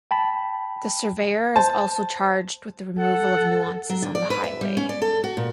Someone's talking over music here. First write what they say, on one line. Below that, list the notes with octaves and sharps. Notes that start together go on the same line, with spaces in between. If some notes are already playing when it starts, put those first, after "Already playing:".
The surveyor is also charged with the removal of nuisances on the highway.
G5 A5 B5
C5 A5
A4 F#5
F#3
D3
D5
B4
E5
G3
C#4
D5
A4
F#4
A#2